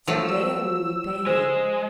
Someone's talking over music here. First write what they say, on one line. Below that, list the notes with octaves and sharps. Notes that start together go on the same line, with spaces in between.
"Some day I will repay you."
F3 F#3 E6
G#3 C5 E7